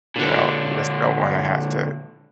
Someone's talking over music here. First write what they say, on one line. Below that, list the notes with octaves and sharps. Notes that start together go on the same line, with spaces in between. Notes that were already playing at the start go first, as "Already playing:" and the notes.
you know, you just don't wanna have to
A#2 D3